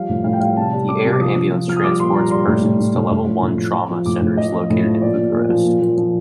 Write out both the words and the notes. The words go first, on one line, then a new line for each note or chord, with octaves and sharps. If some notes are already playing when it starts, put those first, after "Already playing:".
The air ambulance transports persons to Level One trauma centers located in Bucharest.
Already playing: F3 G3 F5
A2
A2 F5
G5
G3 F5
C3 A5
G3
C3 D6
C3
D6
F3 D#6
F3
F3
F3 F6
D#6
G3 D6
A#2 C6
G3 A#5
G3 C6
A2
A2
A2
A2
A2
F3
A2
F3
F3
F3
A2 D6
A2
F3 D#5
F3
A2
F3
A#2 D5
A#2
A#2
F3
A#2
F3
F3